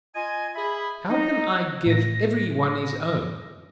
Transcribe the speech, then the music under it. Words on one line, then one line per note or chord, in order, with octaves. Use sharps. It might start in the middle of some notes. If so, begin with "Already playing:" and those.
How can I give every one his own!
F4 D#5 G#5
G#4 E5 B5
D#4
A2 A#6